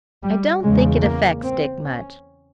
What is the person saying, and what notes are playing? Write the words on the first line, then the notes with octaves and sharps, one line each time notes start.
'I don't think it affects Dick much.
G3
E2 C#3 G#3
A#3
C4
C#4